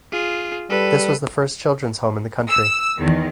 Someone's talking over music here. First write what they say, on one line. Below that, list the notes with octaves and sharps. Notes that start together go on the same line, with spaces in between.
This was the first Children's Home in the country.
F4 G#4
G3 A4 B4
E6
E2 D#3